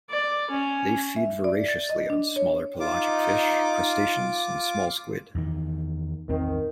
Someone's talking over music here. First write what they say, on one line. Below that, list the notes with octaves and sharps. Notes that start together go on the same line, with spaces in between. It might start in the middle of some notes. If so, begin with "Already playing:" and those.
They feed voraciously on smaller pelagic fish, crustaceans and small squid.
D5
C#4
E5
D5
A6
D#5
D4
C#5
D#4 F4 D6
E2 D#3
A1 E2 D#3 C4